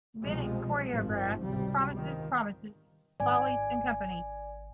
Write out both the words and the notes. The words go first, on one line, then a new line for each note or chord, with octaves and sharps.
Bennett choreographed "Promises, Promises", "Follies" and "Company".
C2 B2 F3 G3 G#3
G#1 G2 D#3 F3
G#1 C#2 C3 G3
D#3 F3
G#1 D5 G#5